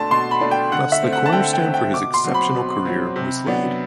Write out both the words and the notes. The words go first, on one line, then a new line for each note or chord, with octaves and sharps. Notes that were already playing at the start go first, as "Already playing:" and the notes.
Thus the cornerstone for his exceptional career was laid.
Already playing: B2 A3 D4 A5 C6
B2 C6
B5
A3 D4
G5
D3 F#5
E5
A3 C4
F#5
A5
D3 G5
G5
A3 C4
G5
B2 D6
C6
F#3 C4
B5
B2
F#3 C4
C3
F#3 B3 D4